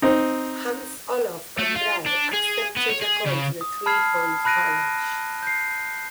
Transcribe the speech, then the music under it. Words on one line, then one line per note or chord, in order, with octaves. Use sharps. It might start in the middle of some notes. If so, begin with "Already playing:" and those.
Hans Olof Andrae accepted a call to the three-point parish.
C4 D#4
A3
F4
D4
G#4
B3
C#5
G#4
C#3
D#6
A5 B5 F6 G#6 C7
A5 B5 F#6 A#6 D7 D#7
G6 C7